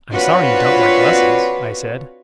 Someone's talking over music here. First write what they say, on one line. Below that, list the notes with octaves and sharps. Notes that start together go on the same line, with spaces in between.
"I'm sorry you don't like lessons," I said.
C4 D4 F4 F#4 B4 C#5